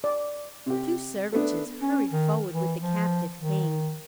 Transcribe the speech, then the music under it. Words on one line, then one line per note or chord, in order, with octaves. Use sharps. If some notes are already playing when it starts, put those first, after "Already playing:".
Two servitors hurried forward with the captive King.
D5
C3 G4
A3 B3 D4
C#4
D#3
E3
F3
D#3